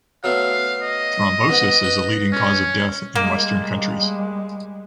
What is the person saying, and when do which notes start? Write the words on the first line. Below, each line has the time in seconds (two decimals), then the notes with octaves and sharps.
Thrombosis is the leading cause of death in western countries.
0.24 F#3 A3 B3 F5
0.82 D#5
1.49 G#2 B3
1.84 B4
2.33 C#4
3.16 G3 G#3 A#3